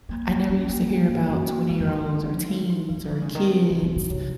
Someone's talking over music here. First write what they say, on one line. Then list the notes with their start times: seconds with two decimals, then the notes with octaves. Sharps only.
I never used to hear about twenty-year-olds or teens or kids,
0.09 F#3 A#3
0.29 G#3 A#3
0.49 F#3 C#4
0.69 F#3 A#3
0.89 F#3 A#3
1.09 G#2 A#3
1.29 F#2 F#4
1.49 A#3
1.69 G#2 G#3
1.80 F#2
1.89 D#4
2.00 F#3
2.09 F3 D#4
2.23 F#3
2.30 F3
2.49 G#3
2.70 D#4
2.89 F#3 G#3
3.09 D#3 F3
3.22 C#3
3.29 D#4
3.35 D#3
3.50 C4
3.69 C#3 D#4
3.82 C3
3.89 F#4
3.96 A#2
4.10 C3 C#5